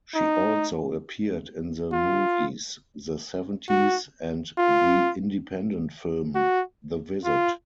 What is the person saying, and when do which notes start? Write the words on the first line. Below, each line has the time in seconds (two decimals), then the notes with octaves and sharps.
She also appeared in the movies "The Seventies" and the independent film "The Visit".
0.15 D#4
1.92 F4
3.69 F#4
4.58 F4
6.35 F#4
7.24 F4